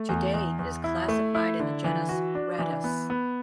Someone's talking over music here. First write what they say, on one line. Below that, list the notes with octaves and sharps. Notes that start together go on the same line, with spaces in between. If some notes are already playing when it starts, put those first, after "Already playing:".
Today it is classified in the genus "Rattus".
Already playing: A3
E2
E2
E2
E4
A3
E4
D3
E3
F#4
D4
E3
B3
B3